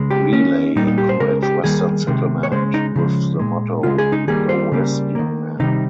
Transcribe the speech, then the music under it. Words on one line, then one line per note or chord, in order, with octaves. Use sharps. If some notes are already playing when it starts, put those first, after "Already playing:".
Greeley encouraged western settlement with the motto "Go West, young man".
Already playing: C#3 G#3
G4
D#3 A#3 C#4
A#2 G3 A#3 D#4
D#4
G4
C5
C#3 G#3 A#4
G4
D#3 G3 A#3 G#4
C3 D#3 G#3
C#5
C#3 G#3 C5
D#4
C#3 F3 G#3
A#2 G#3
C#3 G#3 F4
G#4
D#4
D#3 G3 A#3 G#4
C5
C#3 G3 A#3
D#3 A#3
C3 D#3 G3 D#4